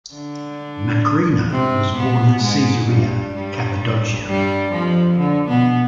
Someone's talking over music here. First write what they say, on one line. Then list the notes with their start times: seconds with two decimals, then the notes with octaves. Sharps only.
Macrina was born at Caesarea, Cappadocia.
0.14 D3 D4
1.51 C3 C4
1.96 B2 B3
2.43 G#2 G#3
2.89 G2 G3
3.34 G2 G3
4.26 G2 G3
4.72 F2 F3
5.18 D3
5.48 B2 B3